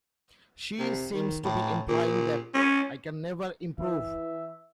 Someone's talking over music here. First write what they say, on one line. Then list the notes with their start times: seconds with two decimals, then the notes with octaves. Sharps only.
She seems to be implying that I can never improve.
0.79 C3
1.13 D#3
1.44 A2
1.89 A#2
2.54 C#4
3.80 E3 E5